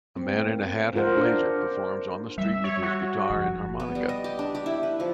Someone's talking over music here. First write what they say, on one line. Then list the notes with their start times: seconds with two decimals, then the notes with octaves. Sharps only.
A man in a hat and blazer performs on the street with his guitar and harmonica.
0.16 C4
0.33 A#3
0.95 F4 A#4 C5 F#5
1.17 D4
2.38 G3 E5
2.64 C#5
2.83 F#4
3.30 F#1 F3
3.80 B3
3.95 G3
4.09 D#5
4.24 G4
4.39 D4
4.55 G4
4.66 E4
4.83 B4
5.00 F3